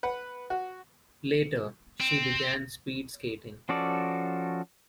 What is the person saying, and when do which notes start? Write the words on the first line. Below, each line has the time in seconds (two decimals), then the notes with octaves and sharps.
Later, she began speed skating.
0.03 B4 F#5
0.50 F#4
2.00 C4
3.69 F3 C#4 F#4 A4 D5